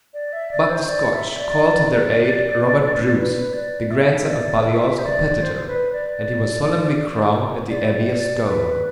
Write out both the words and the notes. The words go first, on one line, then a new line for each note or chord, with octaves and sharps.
But the Scotch called to their aid Robert Bruce, the grandson of Baliol's competitor, and he was solemnly crowned at the Abbey of Scone.
D5
E5
D5
C5
D5
E5
D5
B4
D5
E5
D5
E5
C5
D5
C5
C5
B4
D5
D5
B4